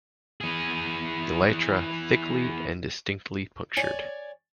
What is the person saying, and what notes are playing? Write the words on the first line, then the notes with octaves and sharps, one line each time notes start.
Elytra thickly and distinctly punctured.
E3 G#4
C#5 D5 G#5